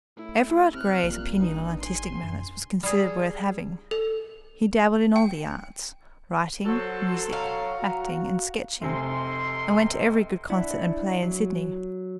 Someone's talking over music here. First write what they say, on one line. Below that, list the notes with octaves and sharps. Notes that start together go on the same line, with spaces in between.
Everard Grey's opinion on artistic matters was considered worth having. He dabbled in all the arts--writing, music, acting, and sketching, and went to every good concert and play in Sydney.
A2 E4
C3 F6 F#6
G#1 A#2
G2 D#4
G#5 C6
F#2
G3 G#4
A4
G5
F#3 F#4 A4 C5
C#5 F5 F#5 A#5
F#4
F1 C3 G#5 C6
D4 E4 D5 E5 F#5
F#3